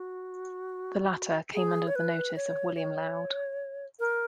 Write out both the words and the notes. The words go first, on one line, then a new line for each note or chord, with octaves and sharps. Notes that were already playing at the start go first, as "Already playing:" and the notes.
The latter came under the notice of William Laud.
Already playing: F#4
G#4
C#5
B4
C#5
C#5
A#4